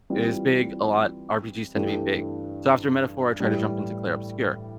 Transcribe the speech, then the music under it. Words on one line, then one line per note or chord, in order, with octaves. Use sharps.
It was big, a lot RPGs tend to be big. So after Metaphor, I tried to jump into Clair Obscur,
E3 G3 C4 F4
G2 E3 A3 D4 G4
A2 E3 G3